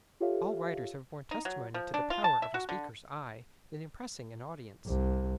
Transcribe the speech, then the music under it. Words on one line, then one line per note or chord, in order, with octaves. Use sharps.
All writers have borne testimony to the power of a speaker's eye in impressing an audience.
F4 G4 A4 C#5 E5 F5
D#4
F#3
F3
D4
F4
A5
E5
F#4
D3
C2